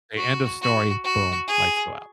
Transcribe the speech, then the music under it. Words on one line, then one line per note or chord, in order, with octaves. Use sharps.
Say, end of story, boom, lights go out.
F#4
F#4
F#4
G#4